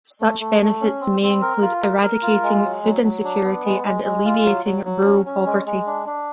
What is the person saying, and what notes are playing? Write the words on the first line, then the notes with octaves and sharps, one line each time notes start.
Such benefits may include eradicating food insecurity and alleviating rural poverty.
A3
A3
A3
C#4
C4
C4
A#4
F4
A#4
A#4
F4
G#3
F#3
F#3
F#3
D4
B3
G#3
G#3
G#3
F4
F#3
F#3
F#3
C#4
C#4
G#3
G#3
D4
D4